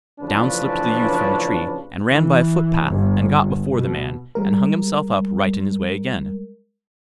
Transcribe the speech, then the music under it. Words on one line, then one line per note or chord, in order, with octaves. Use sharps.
Down slipped the youth from the tree, and ran by a footpath, and got before the man, and hung himself up right in his way again.
A1 C#3 F3 C#4 D4 B4
E3
G1
B2
G3 G#3 A#4